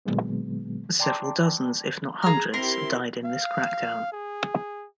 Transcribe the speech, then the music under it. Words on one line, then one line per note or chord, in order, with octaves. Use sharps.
Several dozens, if not hundreds, died in this crackdown.
A#2 D3 F#3 G#3 B3
D5 G5 A5 A#5 C6 D6
G#4 A#5 F6
C4 E4 G4 A#4 C6
F5
G#4